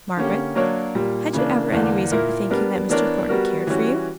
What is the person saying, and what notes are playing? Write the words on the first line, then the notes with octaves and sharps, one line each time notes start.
'Margaret! had you ever any reason for thinking that Mr. Thornton cared for you?'
D3 A#3 C#4 G4
F#3 A#3 D4 A#4 C#5
A#2 G3 A#3
C#3 E3 A#3 D4
E2 D3 A#3 D4
A#2 A#3 E4 A#4
G3 B3 D4 A#4
E3 B3 D4 A#4 C#5
G3 B3 F#4 A#4
E3 G3 C#4 F#4